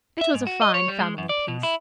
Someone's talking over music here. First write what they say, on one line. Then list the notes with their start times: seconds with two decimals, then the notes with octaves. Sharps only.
It was a fine family-piece.
0.21 E5
0.34 G#2
0.47 F#4
0.62 D#5
0.74 C#5
0.88 G3
1.00 G#3
1.18 F#2
1.29 D5
1.48 B2
1.63 E4